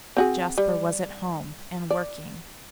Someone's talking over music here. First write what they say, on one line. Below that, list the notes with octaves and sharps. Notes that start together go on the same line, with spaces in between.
Jasper was at home, and working.
C4 F#4 G#4
G3
D5